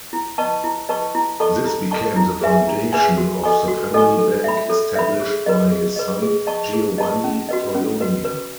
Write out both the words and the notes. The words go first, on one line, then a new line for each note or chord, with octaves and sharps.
This became the foundation of the family bank established by his son, Giovanni Torlonia.
E4
B4 D#5 A5 C#6
E4
B4 D#5 A5 C#6
E4
A4 D#5 A5 C#6
E4
A4 D#5 A5 C#6
E4
G#4 B4 E5 G#5
E4
G#4 B4 E5 G#5
F#4
A4 D#5 G#5 C#6
F#4
A4 D#5 G#5 C#6
A4
E5 B5
A4
E5 B5
G#4
B4 D#5
G#4
B4 D#5
G#4
D#5 A5 C#6
G#4
D#5 A5 C#6
C#4
F#4 B4 D#5
C#4
F#4 B4 D#5
B4